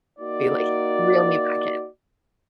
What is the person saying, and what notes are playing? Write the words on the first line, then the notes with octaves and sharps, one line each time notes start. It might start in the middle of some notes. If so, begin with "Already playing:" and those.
be, like, reel me back in.
A#3 D#4 F#4 D5